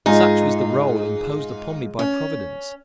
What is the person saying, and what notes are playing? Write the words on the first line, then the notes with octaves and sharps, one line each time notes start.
Such was the role imposed upon me by Providence!
G#2 D#4 F4 G#4
C#4